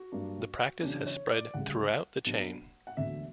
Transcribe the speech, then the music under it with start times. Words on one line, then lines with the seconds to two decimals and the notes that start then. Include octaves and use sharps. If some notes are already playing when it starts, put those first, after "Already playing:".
The practice has spread throughout the chain.
Already playing: F#4
0.12 G2 F#3 A#3 D4
0.83 E2 C#3 F#3 C#4 D4
1.07 C#5
1.30 D5
1.54 D2 C#3 G3 F#5
2.25 B1 B2 F#3 A#3 D4
2.87 F#5
2.97 E1 D2 D3 E5